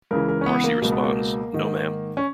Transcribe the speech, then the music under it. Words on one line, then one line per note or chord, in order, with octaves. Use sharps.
Marcie responds, "No, ma'am".
C#2 C#3 E3 A#4
A#4
C#4
B3
A#3
C#2 B2 A#3
B3
A#3
G#2 D#3
C#4